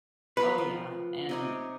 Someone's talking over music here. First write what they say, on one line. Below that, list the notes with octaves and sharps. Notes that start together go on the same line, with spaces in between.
Oh, yeah, and
B3 F4 A#4 B4
F3
C3 D#4 C#5